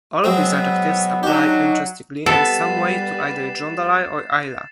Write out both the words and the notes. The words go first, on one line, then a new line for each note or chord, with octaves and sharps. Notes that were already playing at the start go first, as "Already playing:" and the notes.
All of these adjectives apply, interestingly, in some way to either Jondalar or Ayla.
B2 F#3 G#3 B3 C4
F#3 D4 D#4 G4
G3 B3 A4 B4 A6 C7 E7